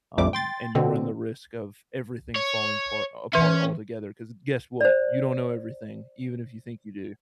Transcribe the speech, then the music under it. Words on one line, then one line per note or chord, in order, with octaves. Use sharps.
um, and you run the risk of everything falling part apart altogether. 'Cause guess what? You don't know everything, even if you think you do.
A#1 F2 F3 G3 A3 D6
G5 C6 A6
B2 D3 C4
C#5
E3 C#4 E5
C5 D5